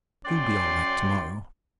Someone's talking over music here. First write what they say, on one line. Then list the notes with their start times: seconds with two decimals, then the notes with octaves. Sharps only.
"You'll be all right tomorrow."
0.25 F#2 C#4 D5 G5 C6